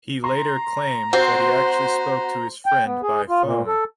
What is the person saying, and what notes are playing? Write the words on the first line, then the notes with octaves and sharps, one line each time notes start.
He later claimed that he actually spoke to his friend by phone.
A#5 C6
C4 F#4 C5
G5
B3
G#4
F4
A#2
A4